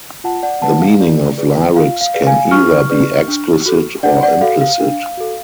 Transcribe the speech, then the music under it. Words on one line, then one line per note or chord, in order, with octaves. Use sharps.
The meaning of lyrics can either be explicit or implicit.
F4 F#5 A5
D5 F#5
G#4 B4 D5 F#5 A5
F5
F4 D5
G#4 B4 D5
F4 F5
F5
G#4 B4 D5
F5 G#5
F4 C#6 F6
G#4 B4 D5
D4
F#4 A4
D4 D5 F#5
D5 F#5
F#4 A4 F5
F5
D4
F#4 A4